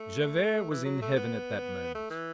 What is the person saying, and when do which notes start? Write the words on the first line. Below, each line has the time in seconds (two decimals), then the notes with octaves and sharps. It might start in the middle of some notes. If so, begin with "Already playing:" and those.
Javert was in heaven at that moment.
Already playing: A3
0.70 E3
0.85 F#3
1.02 A3
1.16 B3
1.94 A3
2.10 E3